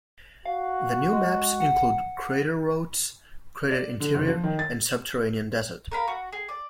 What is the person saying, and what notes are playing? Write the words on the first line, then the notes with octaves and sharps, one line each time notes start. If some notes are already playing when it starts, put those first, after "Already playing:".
The new maps include Crater Routes, Crater Interior, and Subterranean Desert.
F#4 F5
G#3
F#5
D5
D3
F#1
F3
D#3
A6
A#4 F5 B5
F#4
G#4
D5